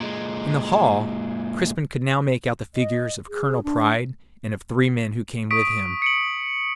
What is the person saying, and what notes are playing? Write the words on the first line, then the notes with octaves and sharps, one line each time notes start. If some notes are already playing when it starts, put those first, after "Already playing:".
In the hall Crispin could now make out the figures of Colonel Pride and of three men who came with him.
A#2 G#3
D#5
G#4
D4
C#6 D#6 B6 D7
C#7 D7 F#7